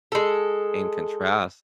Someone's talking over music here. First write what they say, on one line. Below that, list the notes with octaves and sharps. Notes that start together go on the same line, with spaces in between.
and contrast,
G#3 A4